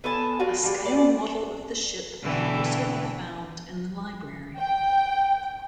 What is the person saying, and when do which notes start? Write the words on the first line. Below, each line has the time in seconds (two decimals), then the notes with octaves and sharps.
A scale model of the ship can also be found in the library.
0.04 B3 A4 G#5 A5
0.40 D4 F4 F#4
0.63 F3 G3 G#3
0.86 B3 C5 D5
2.22 B2 D3 E3 G3 A3
4.58 G5